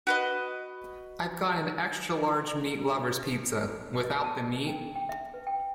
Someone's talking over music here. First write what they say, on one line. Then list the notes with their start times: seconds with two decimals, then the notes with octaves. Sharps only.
I’ve got an extra large meat lover’s pizza, without the meat?
0.07 F#4 B4 D#5
4.04 D#5
4.24 A5
4.67 G5
4.96 G5
5.09 E5
5.34 B4
5.47 G5